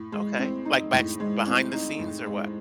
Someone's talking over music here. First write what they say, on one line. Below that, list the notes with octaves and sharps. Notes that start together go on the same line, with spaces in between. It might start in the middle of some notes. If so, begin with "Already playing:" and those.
Okay, like, backs behind the scenes or what?
Already playing: A2
G#3
C4
D#4
A2
G#3
C4
D#4
A2
G#3